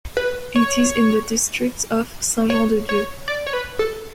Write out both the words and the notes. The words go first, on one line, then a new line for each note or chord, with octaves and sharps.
It is in the district of Saint-Jean-de-Dieu.
B4
C#5
C#5
C#5
D5
C#5
B4
A4